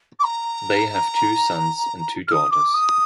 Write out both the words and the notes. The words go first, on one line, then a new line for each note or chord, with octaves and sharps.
They have two sons and two daughters.
D6
A#5
F6
D#6
D6
D#6